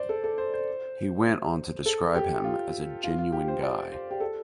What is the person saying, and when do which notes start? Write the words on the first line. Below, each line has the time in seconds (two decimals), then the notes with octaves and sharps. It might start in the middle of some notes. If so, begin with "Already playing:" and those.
He went onto describe him as a 'genuine guy'.
Already playing: C5 D5
0.09 A4
0.24 A4
0.38 C5
0.54 C5
1.86 A4
2.15 G4
2.44 F4
3.04 F4
3.19 F4
3.32 G4
3.48 C5
3.62 D5
3.92 C5
4.11 G4
4.20 A4